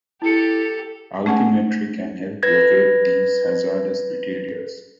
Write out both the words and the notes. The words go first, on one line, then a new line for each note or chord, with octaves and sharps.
Altimetry can help locate these hazardous materials.
E4 G4 A4 C#7
A3 C#4 G#4 F#5 G#5
B4 G#6 A#6